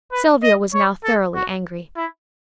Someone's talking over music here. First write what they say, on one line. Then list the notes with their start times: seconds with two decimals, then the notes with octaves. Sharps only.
Sylvia was now thoroughly angry.
0.12 B4
0.43 D#5
0.74 C#5
1.04 A4
1.35 F#4
1.96 E4